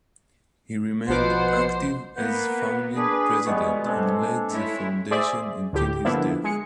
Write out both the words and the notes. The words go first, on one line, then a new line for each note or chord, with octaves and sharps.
He remained active as founding president and led the foundation until his death.
A#1 B2 F3 B3 C5 F#5 D6
A#3 B3 B4 F#5 G6
D4 G#4 B4
F2 B2 G3 G#3 B3 C#6
G#3 C4 D4 A4
A3 E4 C#5
G#4 C5 D5 E5
D2 A2 G4
D3 F3 A#3 B3 D4 E4
G#3 C#7